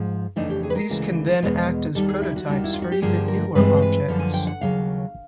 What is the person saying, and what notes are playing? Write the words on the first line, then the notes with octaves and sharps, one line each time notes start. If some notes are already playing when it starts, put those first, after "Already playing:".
These can then act as prototypes for even newer objects.
Already playing: G#2 F3
F2 C#3 E3 A3 D4 D#4
G4
G#4
B4
A#4
D2 C#3 E3 G#3
E2 B2 G#3 B3
D#2 D#3 G3 A4
G#4
E4
F#4
D#2 D#3 G3
E4
F4
F#4
G4
G2 D3 F3 A#3 G#4
A#4
G2 E3 G#3 C4 B4
C5
B4
F#2 D3 F3
G#5
G5
F#5
D#2 C#3 F#3 F5